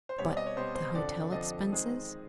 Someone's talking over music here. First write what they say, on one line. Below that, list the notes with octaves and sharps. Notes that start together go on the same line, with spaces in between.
"But the hotel expenses?"
C5
B2 G3 C4 C#5
D5
D#5
C#5
B2 G3 C4 C5
C5
F2 D3 F3 D5
F2 D3 F3 D#5
D#3 G#3 C4